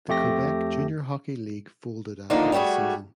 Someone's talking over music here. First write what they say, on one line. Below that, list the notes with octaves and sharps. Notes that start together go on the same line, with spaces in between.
The Quebec Junior Hockey League folded after the season.
F2 A3 G4 A#6
D3 D#3 F3 A#3 D4 D#4
G3 A3 E4 F#4 G#4